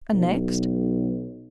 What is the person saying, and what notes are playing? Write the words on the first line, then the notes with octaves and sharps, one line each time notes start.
"And next?"
B1